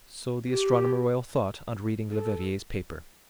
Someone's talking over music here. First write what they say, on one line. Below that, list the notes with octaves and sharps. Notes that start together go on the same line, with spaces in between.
So the Astronomer-Royal thought on reading Leverrier's paper.
G4
A4